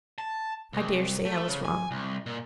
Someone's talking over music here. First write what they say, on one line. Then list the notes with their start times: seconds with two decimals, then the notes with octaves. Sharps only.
I dare say I was wrong.
0.18 A5
0.73 C2
1.25 A3
1.48 C#3
1.65 G#5
1.91 C2
2.26 A#2